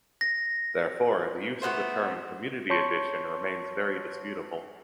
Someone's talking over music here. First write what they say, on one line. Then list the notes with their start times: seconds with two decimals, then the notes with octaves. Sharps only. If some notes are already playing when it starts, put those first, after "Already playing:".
Therefore, the use of the term "community edition" remains very disputable.
0.21 A#6
1.62 A3 B3 F4 C5
2.70 C#5 A5 C6 C#6 G6 C#7